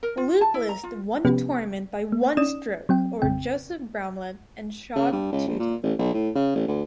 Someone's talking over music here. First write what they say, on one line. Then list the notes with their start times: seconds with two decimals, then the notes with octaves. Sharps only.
Luke List won the tournament by one stroke over Joseph Bramlett and Shad Tuten.
0.03 A#4
0.17 F4
0.41 A5
0.54 E4
0.69 A#5
0.83 F4
1.25 C3 F3 B3 C#4 G4 B4
2.12 A#3
2.37 C#4 D#4 D5 D#6 E7
2.89 F#3 C4 G5
3.22 A1 F2 C#3 C4 G5
4.96 C#3
5.12 G2
5.32 C#2
5.47 A#1
5.59 A#2
5.83 A1
5.99 B1
6.14 A2
6.35 C#3
6.55 A1
6.68 D2